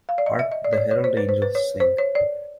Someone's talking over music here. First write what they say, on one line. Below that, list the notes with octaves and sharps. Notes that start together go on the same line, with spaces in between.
Hark the Herald Angels sing.
F5
D5
D#5
E5
D#5
D5
C#5
D5
C#5
C5
B4
C5
B4
C#5
C5
C#5
D5